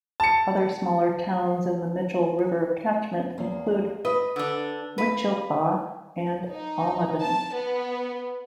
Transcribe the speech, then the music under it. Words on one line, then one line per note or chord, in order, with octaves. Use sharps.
Other smaller towns in the Mitchell River catchment include Mutchilba and Almaden.
A5 C#7
E2 A#3
B4 D#5
D3 D4
B4 F5
D#4
A5
B3